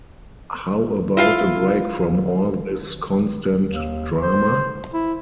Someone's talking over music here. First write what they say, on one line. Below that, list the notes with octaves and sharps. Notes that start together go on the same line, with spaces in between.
How about a break from all this constant drama?
E4 F4 F5
D#2
C5
E4